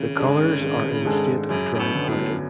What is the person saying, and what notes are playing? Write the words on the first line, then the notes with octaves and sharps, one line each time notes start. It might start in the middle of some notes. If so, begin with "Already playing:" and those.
The colours are in a state of dry powder.
Already playing: G#1 C#3
G#2 G#3 D4 A4
G#1
G#2 G#3 D4 A4
F#2 C#3
C#3
B2
D3 F#3 B3
A2